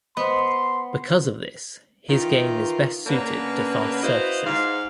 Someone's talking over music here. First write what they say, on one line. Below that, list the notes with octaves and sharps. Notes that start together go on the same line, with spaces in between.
Because of this, his game is best suited to fast surfaces.
B3 C5 D#5 C6
D#3 E3 F4
C#3 A#3 B3 C#4 D4 B4
E4 F#4 B4 C5 D#5 F5
G#2 F5